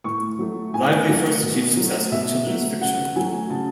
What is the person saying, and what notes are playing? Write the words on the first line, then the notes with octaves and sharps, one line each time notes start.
Lively first achieved success with children's fiction.
A2 C#6
F#3 A3
A2 G#5
F#3 A3
B2
F#3 A3
B2 E5
F#3 A3
C#3 F#5
F#3 A3 G#5
C#3 A5